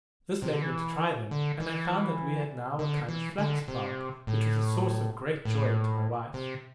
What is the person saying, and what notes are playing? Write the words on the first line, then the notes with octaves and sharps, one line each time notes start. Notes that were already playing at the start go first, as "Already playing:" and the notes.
This led me to try them, and I found that we had now a kind of flax plant, which was a source of great joy to my wife.
C3
D3
E3
D3
E3
D3
E3
D3
C3
A2
A2
C3